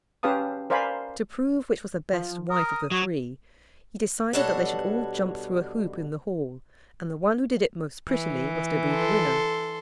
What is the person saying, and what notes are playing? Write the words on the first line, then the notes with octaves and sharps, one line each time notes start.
To prove which was the best wife of the three, he decided that they should all jump through a hoop in the hall, and the one who did it most prettily was to be the winner.
C#4 G4 B4 F5 A5 D#6
A#4 C5 D5 F5 G#5 B5
F3
A#4 D#6
F#3 C#5
B2 G3 D4 A4 C#5 F#5
E3
A4 C6